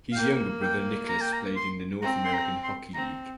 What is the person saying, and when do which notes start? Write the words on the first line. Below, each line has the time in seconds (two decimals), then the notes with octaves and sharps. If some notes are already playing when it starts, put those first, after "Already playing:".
His younger brother Nicholas played in the North American Hockey League.
0.12 F5
0.16 A#3 G5
0.62 G5
1.09 A#5
1.21 G5
1.33 A#5
1.56 C6
2.02 C4 A#5
2.24 C6
2.34 A#5
2.63 C6
2.95 C4 A#5